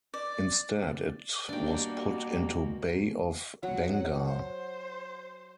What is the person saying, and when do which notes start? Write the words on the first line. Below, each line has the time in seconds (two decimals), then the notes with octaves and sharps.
Instead it was put into Bay of Bengal.
0.14 D5
1.49 B2 G3 A#3 D4 F#4 G5
3.63 F#3 F#5
4.28 C5